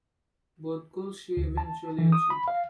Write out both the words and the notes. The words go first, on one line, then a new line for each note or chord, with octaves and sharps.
Both goals she eventually achieved.
D2
A5
E3
D#6
B5
F5